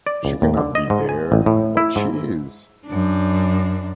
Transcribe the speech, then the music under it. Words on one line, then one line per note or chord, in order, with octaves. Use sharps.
She cannot be there, but she is!
D5
C#2
D#2
D3
D#5
G#2
G#5
A1
A2
E4
G#2
F#2 D4